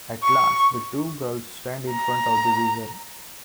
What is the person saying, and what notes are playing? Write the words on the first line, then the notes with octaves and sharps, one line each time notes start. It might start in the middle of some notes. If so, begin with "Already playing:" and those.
At last, the two girls stand in front of the Wizard.
C#6
A#5